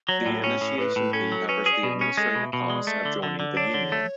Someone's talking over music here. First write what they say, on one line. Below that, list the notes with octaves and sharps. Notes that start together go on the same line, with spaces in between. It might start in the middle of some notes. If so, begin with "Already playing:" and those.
The initiation fee covers the administrative costs of joining the union.
F#3 C#5
D5
A2
C#5
C#4 C#5
A2
A2 B4
A2
C#4 A4
F#3
C#4 B4
G#4
D5
B2
C#4
G#3 A4
B2
E5
B2
D5
G#3
A3
D3
D3
D3
B4
D4 C#5
D3
A3